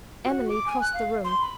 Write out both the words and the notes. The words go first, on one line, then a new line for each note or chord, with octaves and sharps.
Emily crossed the room.
F#4
D6
G#5
F#6
F5
C6
B5